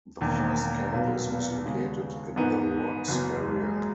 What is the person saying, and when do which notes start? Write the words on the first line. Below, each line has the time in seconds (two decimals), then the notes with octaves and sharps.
The first campus was located in The Rocks area.
0.20 E1 E2 D#3 A#3
0.57 A#3
0.92 B1 A#2 F#3 A#3 B3
1.28 B3
1.64 D#2 C#3 G#3 B3
2.36 G#2 E3 B3 D#4 A#4
3.08 F#1 F#2 E3 B3
3.44 G#3